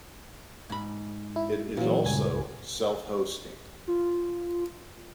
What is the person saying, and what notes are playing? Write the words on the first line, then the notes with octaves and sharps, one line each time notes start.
It is also self-hosting.
G#2 B5
E4
A#2 E3 F#3
C#2 G2 G#5
F4